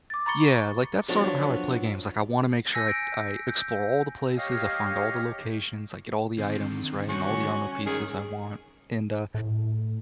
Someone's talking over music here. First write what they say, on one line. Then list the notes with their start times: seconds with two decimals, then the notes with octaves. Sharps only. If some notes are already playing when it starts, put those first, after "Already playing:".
yeah, like, that's sort of how I play games, like, I wanna make sure I I explore all the places, I find all the locations, I get all the items, right, and all the armor pieces I want, and, uh,
0.10 D6 A6
0.26 A#5 B5 C#6 A6 C#7 G7
1.08 F3 F#3 B3 D4 F#4 C#5
2.71 G#5 E6 G6 A#6 B6 C#7
2.87 A6 D7
3.48 G6
4.37 G4 C#5 D#5 F5
6.38 D3 D#3 C4
7.09 G3 C#4 F#4
7.86 G#2 D#3 C#4 G#4
9.35 A2